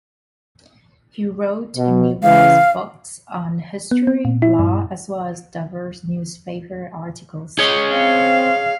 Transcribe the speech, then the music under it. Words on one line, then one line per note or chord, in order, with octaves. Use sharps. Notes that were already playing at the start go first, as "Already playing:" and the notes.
He wrote numerous books, on history, law, as well as diverse newspaper articles.
B2
C#3 E3 F5
B3
C4
A#2
E4
G2
G#4 C#5 D#5
C4 F5